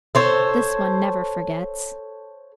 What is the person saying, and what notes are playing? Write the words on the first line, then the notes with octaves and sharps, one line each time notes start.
"This one never forgets!"
A4 C5 C#5